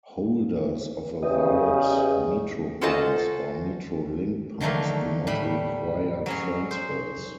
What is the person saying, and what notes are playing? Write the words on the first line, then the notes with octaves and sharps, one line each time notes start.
Holders of a valid MetroPass or MetroLink Pass do not require transfers.
E2 C#3 G4 D#5
C#4 F4 F#4 A4 C5 D#5
D3 D#3 F3 F#3 A3 A#3
A2 G3 B5
F#3 C#4 G#4
C5